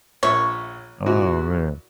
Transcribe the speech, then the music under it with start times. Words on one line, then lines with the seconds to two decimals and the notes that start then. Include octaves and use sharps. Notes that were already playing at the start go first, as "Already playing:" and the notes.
Oh, man.
0.23 A#1 C#5 E5
1.06 A#2 E4 F#4